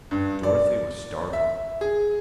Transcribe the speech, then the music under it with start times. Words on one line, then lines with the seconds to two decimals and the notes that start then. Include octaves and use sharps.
Dorothy was startled.
0.11 G2
0.43 D5
1.33 E5
1.81 G#4